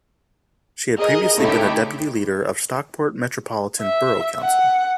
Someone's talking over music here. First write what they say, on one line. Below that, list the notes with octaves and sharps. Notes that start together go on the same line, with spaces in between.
She had previously been a deputy leader of Stockport Metropolitan Borough Council.
G#4 A#4 D#5
C#3 A3 D#4 E4 G4
E5
F#5